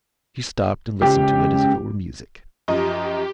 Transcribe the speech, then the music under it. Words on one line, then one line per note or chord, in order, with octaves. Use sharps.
She stopped, and listened to it as if it were music.
C#2 A2 C#3 G4
F#2 F3 G4 D#5